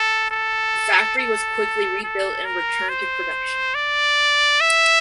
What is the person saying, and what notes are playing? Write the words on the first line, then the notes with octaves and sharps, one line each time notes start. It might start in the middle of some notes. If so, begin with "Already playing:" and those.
The factory was quickly rebuilt and returned to production.
Already playing: A4
A4
A4
A4
A#4
C5
D5
E5